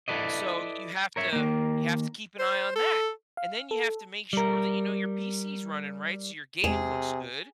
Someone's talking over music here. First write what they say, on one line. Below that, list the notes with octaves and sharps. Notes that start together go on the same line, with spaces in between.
so, you have to you have to keep an eye on that. And then you have to make sure that, you know, your PC's running right so your game looks good
E4 A4 B4 D5 D#5
A#4 C#5 E5
D#3 A#3
C5
A4
F5
A4
G3 A#4
E2 C3 G#3 G#4